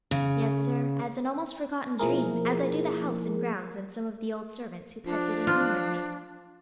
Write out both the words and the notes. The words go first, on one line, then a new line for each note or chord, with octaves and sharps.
"Yes, sir, as an almost forgotten dream, as I do the house and grounds and some of the old servants who petted and humored me."
C#3
B2 F3 A#3 E4 G#4 A#4
F3 D4
F4